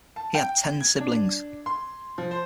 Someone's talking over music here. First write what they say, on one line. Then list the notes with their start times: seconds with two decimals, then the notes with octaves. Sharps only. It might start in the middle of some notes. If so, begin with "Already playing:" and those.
He had ten siblings.
0.16 A5
0.35 G5
0.81 G#6
1.00 D4
1.66 C6
2.18 F3
2.31 C5